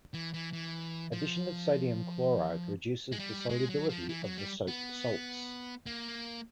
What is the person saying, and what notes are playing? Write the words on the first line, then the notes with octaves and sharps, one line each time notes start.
Addition of sodium chloride reduces the solubility of the soap salts.
E3
E3
E3
F3
G#3
G3
G#3
F#3
F3
E3
F#3
G3
B3
A#3